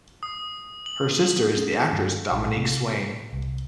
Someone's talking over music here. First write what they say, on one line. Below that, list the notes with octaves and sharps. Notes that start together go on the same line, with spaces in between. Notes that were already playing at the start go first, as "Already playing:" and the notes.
Her sister is the actress Dominique Swain.
D#6
F#7
C#4
G2
A#1
C3
C2